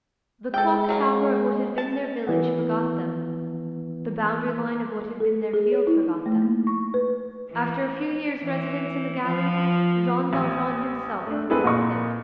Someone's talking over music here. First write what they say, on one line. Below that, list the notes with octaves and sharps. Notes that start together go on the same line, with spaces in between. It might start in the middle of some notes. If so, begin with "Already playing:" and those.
The clock-tower of what had been their village forgot them; the boundary line of what had been their field forgot them; after a few years' residence in the galleys, Jean Valjean himself forgot them.
G#3 A4 G5
F#3 A3 A#3
A5
E3 B3
A4
G#4
C#5
E4
D#4
A3
A#3
C#6
B4
E3
E3
F3
A1
A3 D4
C4 E4 G#4 A4 B4
A#2 A#3 D#5 C#6